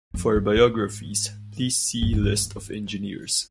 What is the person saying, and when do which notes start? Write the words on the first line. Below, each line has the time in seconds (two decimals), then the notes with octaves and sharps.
For biographies please see List of engineers.
0.14 F2
0.36 G#2
0.56 G#2
2.02 G2
2.13 G2
2.23 G#2